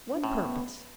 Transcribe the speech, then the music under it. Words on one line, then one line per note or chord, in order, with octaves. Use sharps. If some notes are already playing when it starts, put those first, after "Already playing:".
"What purpose?"
D4
A2 C#4
B3